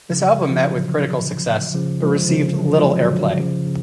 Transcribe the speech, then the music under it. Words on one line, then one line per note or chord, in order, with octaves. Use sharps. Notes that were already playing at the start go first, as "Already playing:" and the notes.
This album met with critical success but received little airplay.
C#3 F3
C#3 F3
D3 F#3
C#3 F3
F3 G#3
D3
C#3 F3
D3 F#3
F3 G#3
D3 F#3
D3 F#3
C#3 F3
C#3